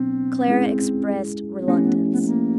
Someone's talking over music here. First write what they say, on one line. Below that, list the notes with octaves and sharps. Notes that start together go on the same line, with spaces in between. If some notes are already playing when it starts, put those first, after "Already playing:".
Clara expressed reluctance.
Already playing: B2 F#3 B3 C4 D4
G#3 C#4 E4 G#4
C4
F3 A3 B3 C#4 E4 G4
C4
B3
B3
B3
A#3